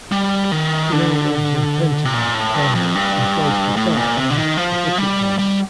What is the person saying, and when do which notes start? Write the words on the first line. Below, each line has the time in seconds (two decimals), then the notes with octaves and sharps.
He now lives in Pentewan, Cornwall, and plays guitar in The Bucket Boys.
0.12 G3
0.52 D#3
0.92 D3
2.05 C3
2.14 A#2
2.34 A2
2.55 G2
2.75 F2
2.95 G2
3.76 A2
3.97 A#2
4.17 C3
4.30 D3
4.37 D#3
4.57 F3
4.98 G3
5.39 G3